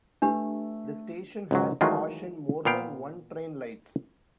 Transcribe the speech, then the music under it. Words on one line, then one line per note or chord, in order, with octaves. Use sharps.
The station has Caution More Than One Train lights.
A3 D4 G4 B4
C#2 G#2 F#3
D#3 E3 F#3 G#3 A3 F4
A#2 B3 F5 G5